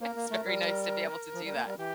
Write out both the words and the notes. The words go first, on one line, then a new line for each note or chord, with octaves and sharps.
It's very nice to be able to do that.
A#3 A#4 C5
A#3
A3
G3
F3
G3
A#3
G3
E3 G4